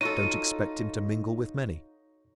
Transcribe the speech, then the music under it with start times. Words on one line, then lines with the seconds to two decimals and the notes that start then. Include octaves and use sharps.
Don't expect him to mingle with many.
0.01 D#4 F4 F#4 A4 C#5 C#6 D#7